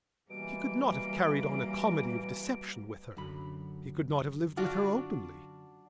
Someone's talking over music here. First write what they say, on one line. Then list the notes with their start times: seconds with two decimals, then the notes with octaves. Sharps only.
He could not have carried on a comedy of deception with her; he could not have lived with her openly.
0.30 B2 E3 G3 A#3 D7
3.17 F#2 D3 B5
4.57 D4 F4 F#4